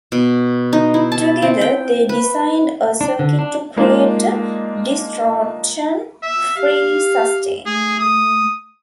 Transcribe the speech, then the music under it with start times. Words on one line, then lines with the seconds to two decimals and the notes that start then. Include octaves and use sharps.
Together they designed a circuit to create a distortion-free sustain.
0.12 B2
0.73 D#4
0.94 E4
1.12 A5
1.42 C4
1.61 G5
2.09 B4
3.01 D4
3.19 D3
3.39 D4
3.76 G#3 A#3 D4 D#4 F4
6.23 E5
6.56 G4 F5
7.66 A3 G#4
8.00 D#6